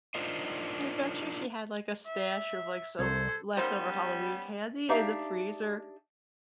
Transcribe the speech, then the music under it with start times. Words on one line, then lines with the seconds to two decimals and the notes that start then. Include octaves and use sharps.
I bet you she had, like, a stash of, like, some l leftover Halloween candy in the freezer.
0.15 D4 D#4 F4 A#4 C5 D#5
2.06 E5
2.99 C2 A4 C5 G#6
3.57 G3 A#3 B3 C#4 D#4 C5
4.89 D4 D#4 G4 E5 F5